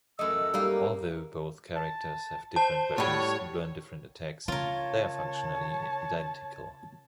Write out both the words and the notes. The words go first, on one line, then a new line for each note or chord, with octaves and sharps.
Although both characters have different weapons and learn different attacks, they are functionally identical.
F#2 A3 D#5 E6
G3 A#3 D#4
A5
C5 A5
A2 G3 F#4 C#5
C#3 F4 A#4 C#5 A5